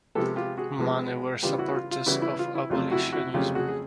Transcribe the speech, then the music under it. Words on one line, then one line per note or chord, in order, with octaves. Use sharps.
Many were supporters of abolitionism.
C3 F3 G#3 B3 G4 A4
F4 G4
F#4 G#4
C3 F3 G#3 B3
C#3 E3 G3 B3 F4 G4
E4 F#4
F#4
F4
F4
C#3 E3 G3 B3 E4 F#4
E4
F4
E4
F2 C#3 F#3 A3 C4 F4
E4 F#4
E4 F#4
F2 C#3 F#3 A3 C4 F4 G4
F#4 G#4
G#4